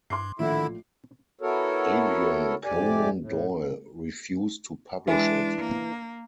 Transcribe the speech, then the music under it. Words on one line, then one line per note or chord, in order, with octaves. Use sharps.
Adrian Conan Doyle refused to publish it.
G2 C6 D6 C7
A#1 A2 D3 D#3 E4 F4
B3 E4 F#4 A4 A#4 C#5
F2 C3 G4 D5 G#5
A2
E3 G#3 D4
A#3